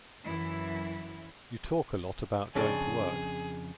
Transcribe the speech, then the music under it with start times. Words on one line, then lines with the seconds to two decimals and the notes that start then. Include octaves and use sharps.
You talk a lot about going to work.
0.24 F#2 E3 E4
2.55 F2 C#3 D4 G#4